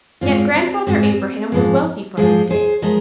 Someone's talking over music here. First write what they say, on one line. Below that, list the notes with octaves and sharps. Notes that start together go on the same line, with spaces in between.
Yet Grandfather Abraham was wealthy for his day.
G#2 G#3 C4 F4
C4
G#2 G#3 C4
G#2 F3 G#3
G#2 F3 G#3 G#4 C5
G#4 C5
F3 G#3 A#4 D#5